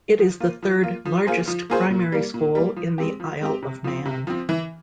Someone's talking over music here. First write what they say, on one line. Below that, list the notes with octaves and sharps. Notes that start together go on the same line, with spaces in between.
It is the third largest primary school in the Isle of Man.
F3
A#3 F4
F3
A#3 F4
F3
A#3 F4 G#4 C5
F3
A#3 F4 G#4 C5
A#2
G3 A#3
A#2
G3 A#3
F3
G#3 C4 G4
F3
G#3 C4 G4
C3
F3 C4
C3
F3 C4
E3